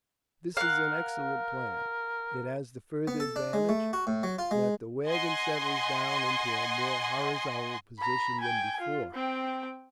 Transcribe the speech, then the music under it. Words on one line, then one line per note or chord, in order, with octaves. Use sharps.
This is an excellent plan; it has the further advantage that the wagon settles down into a more horizontal position than before.
A#4 F5 F#5
B3
A4
D4
G#3
A3
F#4
A2
F#3
F4
G#3
D#5 F#5 G#5 C6
A#5 B5
G5 G#5
F4
C4 G5